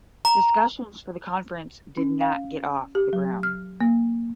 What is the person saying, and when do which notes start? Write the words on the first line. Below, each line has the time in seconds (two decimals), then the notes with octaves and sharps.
Discussions for the Conference did not get off the ground.
0.25 A#5
1.97 C#4
2.21 F5
2.95 G4
3.13 F#3
3.43 F6
3.81 A#3